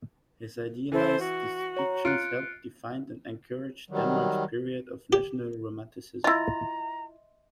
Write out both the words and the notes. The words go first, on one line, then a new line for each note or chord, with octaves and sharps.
His idealised depictions helped define and encourage Denmark's period of national romanticism.
E3 E4 A4 C5
F#4
C#5 A#5
F4 F#6 C#7 D7
D#3 F#3 G3
G4
E4 F4 D#5 E5 A#5 C6